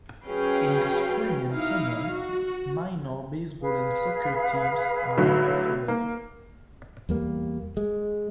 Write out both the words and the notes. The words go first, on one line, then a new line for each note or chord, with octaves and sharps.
In the spring and summer, minor baseball and soccer teams are offered.
F#3 C#4 G#4 B4 F5 G5
D#4 E4 F5
F#4
G#4 B4 F5
A2 D3 F#3
A#3
E2 G3 A#3
G#3